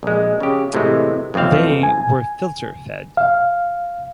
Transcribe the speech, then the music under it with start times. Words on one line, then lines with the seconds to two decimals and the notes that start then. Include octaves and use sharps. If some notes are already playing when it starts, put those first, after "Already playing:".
They were filter fed.
0.03 A#1 G#3
0.40 C#3 G4
0.74 A2 C3 E3 G#3
1.34 B1 F2 A3 C4 F5
1.83 G#5
3.17 F5